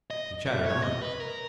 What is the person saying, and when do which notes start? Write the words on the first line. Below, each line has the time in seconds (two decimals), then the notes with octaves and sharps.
He chattered on.
0.11 D#5
0.47 E5
0.66 C#5
0.83 D#5
1.02 B4
1.20 A#4